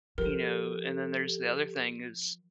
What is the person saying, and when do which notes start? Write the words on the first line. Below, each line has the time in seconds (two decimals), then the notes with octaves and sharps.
you know, and then there's the other thing is
0.18 F3 G4 A4 A#4